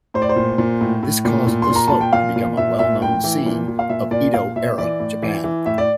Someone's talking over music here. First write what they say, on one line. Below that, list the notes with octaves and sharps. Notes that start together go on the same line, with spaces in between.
This caused the slope to become a well-known scene of Edo-era Japan.
A2 C5
D5
C5
A#2
A#2
A2
A2
A#2
A#2
C6
A#2
A#5
A#2 A5
G5
A#2 F5
A#2
A#2 E5
A#2 E5
A2 G5
E3
A#2
A#2
F5
A#2 E5
A#2 D5
A#2 F5
A#2 E5
E3 D5
A2
E3
E3
A2 E5
D5